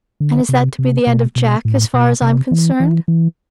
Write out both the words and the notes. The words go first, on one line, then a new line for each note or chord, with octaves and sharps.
"And is that to be the end of Jack as far as I'm concerned?"
D3
C3
C3
B2
B2
A2
B2
C3
E3
E3
E3